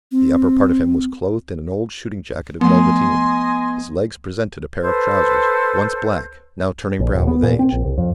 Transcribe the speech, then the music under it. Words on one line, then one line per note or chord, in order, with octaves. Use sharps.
The upper part of him was clothed in an old shooting jacket of velveteen; his legs presented a pair of trousers, once black, now turning brown with age.
C4
F3 A3 B3 D#5 G#5 C6
A4 B4 C5
A#1
D#1
B3
A#2
C4
A#1
C2
F2